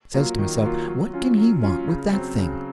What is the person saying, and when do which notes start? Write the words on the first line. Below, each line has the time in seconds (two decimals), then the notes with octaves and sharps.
I says to myself, what can he want with that thing?
0.14 F#3 A#3 F4
0.39 D#3
0.63 F#3 A#3 F4
0.88 F#3
1.14 C#4 F4
1.38 F#3
1.63 C#4 F4
1.88 C#3
2.12 F#3 C4
2.38 C#3